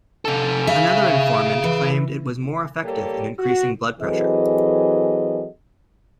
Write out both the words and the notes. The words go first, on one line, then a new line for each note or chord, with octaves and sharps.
Another informant claimed it was more effective in increasing blood pressure.
C3 A4
G#4 E5 F5
E3
G3 A#3 G4 A4 C#5
F#4
E3 F#3 C4 G#4 A4 D#5